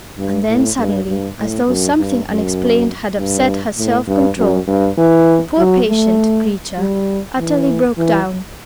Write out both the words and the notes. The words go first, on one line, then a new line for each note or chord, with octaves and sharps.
And then suddenly, as though something unexplained had upset her self-control, the poor patient creature utterly broke down.
G2
A2
G2
G2
A2
F#2
G2
F#2
G2
A2
G2
F#2
G2
E3
F#3
A3
G3
E3
E3